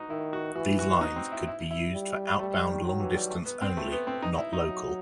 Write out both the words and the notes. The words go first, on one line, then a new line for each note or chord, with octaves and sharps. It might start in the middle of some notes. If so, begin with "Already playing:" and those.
These lines could be used for outbound long-distance only; not local.
Already playing: D#4 F#4
D#3 E4
F#4
E3 F#4
F#4
D#4
C4
E4
E4
E4
G3
G3 A3
D#3
D#3 F#3
E3
G3
A3
B3
C4
A3
B3
C4
D#4
E4
D#4
F#3